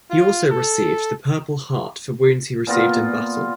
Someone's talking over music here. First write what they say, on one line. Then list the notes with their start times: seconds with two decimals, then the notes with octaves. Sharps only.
He also received the Purple Heart for wounds he received in battle.
0.10 F4
0.51 A4
2.67 A#2 B3 F4 A#5